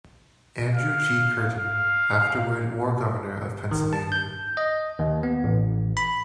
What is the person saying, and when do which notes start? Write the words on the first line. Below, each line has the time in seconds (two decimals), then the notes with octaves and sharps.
Andrew G. Curtin, afterward war governor of Pennsylvania.
0.75 F5
1.58 F5
3.71 D#3
3.93 A5
4.12 G6
4.57 D#5
4.99 D#2
5.23 B3
5.44 A1
5.97 B5